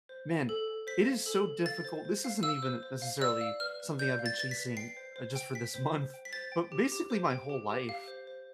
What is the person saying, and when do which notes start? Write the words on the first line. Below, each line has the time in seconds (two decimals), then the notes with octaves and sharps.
man, it is so difficult, this isn't even necessarily something I've been chasing, uh, just for this month, but basically my whole life
0.09 C5
0.29 F5
0.49 A4
0.68 A4
0.87 C5 B6
1.07 F5
1.26 A4
1.46 A4
1.65 F5 A6
1.85 C5
2.05 C5
2.24 F5
2.43 F5 E6
2.63 C5
2.83 C5
3.02 F5
3.21 D5 E6
3.41 F5
3.60 B4 F6
3.80 B4
3.99 D5 G6
4.19 F5
4.26 A6
4.38 B4 A6
4.51 B6
4.57 B4
4.77 G5 C7
4.97 C5
5.16 C5
5.35 G5
5.54 G5 B6
5.74 C5
5.94 C5
6.14 G5
6.25 B6
6.33 C5 A6
6.52 G5
6.72 G4
6.92 G4
7.10 C5
7.30 G5
7.49 G4
7.69 G4
7.89 F5
8.08 C5
8.27 C5